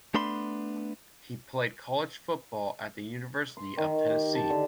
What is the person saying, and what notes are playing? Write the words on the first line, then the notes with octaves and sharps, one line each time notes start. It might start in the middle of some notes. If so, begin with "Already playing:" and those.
He played college football at the University of Tennessee.
A3 B3 D4 B5 C6
C6
D#3
G4
A5
D3